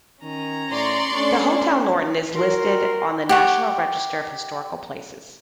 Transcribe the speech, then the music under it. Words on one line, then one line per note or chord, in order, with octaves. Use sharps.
The Hotel Norton is listed on the National Register of Historic Places.
D#3 C#4 A#5
A2 D5 C6 C#6
A3 C#4 D4
F#4 A#4 C6
G4 F#5 C#6